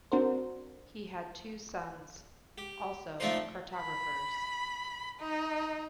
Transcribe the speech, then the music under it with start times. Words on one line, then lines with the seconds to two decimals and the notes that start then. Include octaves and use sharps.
He had two sons, also cartographers.
0.12 C4 D4 F#4 A#4 C5
2.58 G4
3.20 F3 A3 C4 D4 D#4 C5
3.76 B5
5.20 D#4